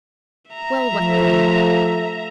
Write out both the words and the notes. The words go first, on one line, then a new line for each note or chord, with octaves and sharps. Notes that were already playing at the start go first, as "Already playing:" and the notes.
Well, what then?
E5 A#5
F3 A3